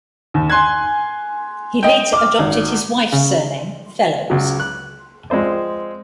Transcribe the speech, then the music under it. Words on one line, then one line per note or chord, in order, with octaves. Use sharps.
He later adopted his wife's surname Fellowes.
D#2
G#5 C6 F#6 G#6
D#5 G5
D6 F6
G#1
C#3
C#2 F#3
F#6
F3 G#3 C4 C5 D5